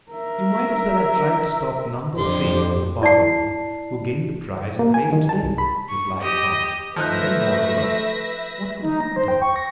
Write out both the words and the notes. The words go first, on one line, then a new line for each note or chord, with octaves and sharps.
"You might as well have tried to stop number three of the barberi, who gained the prize in the race to-day," replied Franz; "and then moreover, what could happen to him?"
A#4 E5
F2 D3 G4 C6
E4 D5 A5 C7
A#3
G#5
D#3
A5
C2
B5
C#6
G4 D#5
F3 A3 D#4 B4 E5 F#6 A#6
D#4
A#6
C5
G5
C#6
A#6